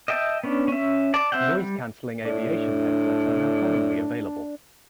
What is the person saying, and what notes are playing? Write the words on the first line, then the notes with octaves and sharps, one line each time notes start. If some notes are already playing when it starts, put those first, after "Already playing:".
Noise-cancelling aviation headsets are now commonly available.
D#5 E5 G5 A5
B3 C#4 D4
C#4 E5
D5 A5
C4 E5 F#5 G5
G3
A2 D4